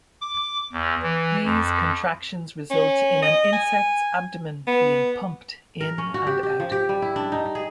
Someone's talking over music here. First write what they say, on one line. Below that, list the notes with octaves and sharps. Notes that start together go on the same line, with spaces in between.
These contractions result in an insect's abdomen being pumped in and out.
D6
E2
E3
F2
C#4
D#5
G#5
B3
A#4
C#4
F#4
G4
G4
F3
G4
G3
E4
D4
D#4
G#4